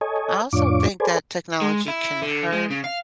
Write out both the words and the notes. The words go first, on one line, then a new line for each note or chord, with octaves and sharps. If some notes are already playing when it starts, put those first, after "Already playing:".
I also think that technology can hurt
A4 C#5 D#5 G#5
F2 A2 D4 F4 C#5 D6
G#4 A4 B4 C5 D5 G#5
G#3
E4
D3
G#3
C#3
F5